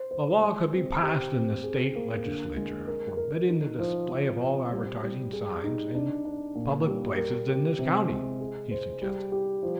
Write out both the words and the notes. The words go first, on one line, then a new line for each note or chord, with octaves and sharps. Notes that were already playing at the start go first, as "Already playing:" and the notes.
"A law could be passed in the State Legislature forbidding the display of all advertising signs in public places in this county," he suggested.
Already playing: C5
C5
G#3
C4
G4
C4
G#4
A#3
D3
G#3
A#4
A#4
D#4
F3
F3
C4
G3
G3
G#4
D#4
D4
D4
A#2
G3
A#4
G4
C3
G#3
G#4
C5
G3
G4
F3